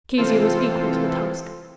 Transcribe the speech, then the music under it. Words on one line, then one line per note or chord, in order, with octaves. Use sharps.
Kezia was equal to the task.
C3 E3 C4 F4 A4 C5